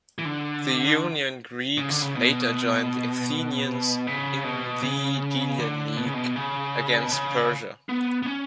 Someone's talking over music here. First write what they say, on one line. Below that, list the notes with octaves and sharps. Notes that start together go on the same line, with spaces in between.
The Ionian Greeks later joined the Athenians in the "Delian League" against Persia.
E3
D3
C#3
D3
C#3
B2
C#3
B2
C#3
D3
B2
C#3
B2
C#3
B2
C#3
B3
B3
C#4